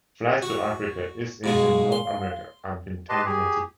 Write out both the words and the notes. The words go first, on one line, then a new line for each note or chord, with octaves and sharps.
Flights to Africa, East Asia, and North America had been terminated.
F#4
G#2 B2 G#3 F5
C6
G4 B4 D#5 A5 C6
G4 G#4